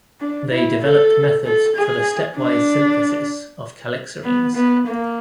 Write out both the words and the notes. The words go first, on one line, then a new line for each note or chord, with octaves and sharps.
They developed methods for the stepwise synthesis of calixarenes.
D4
E4
A4
A4
G#4
D4
B3
B3
A#3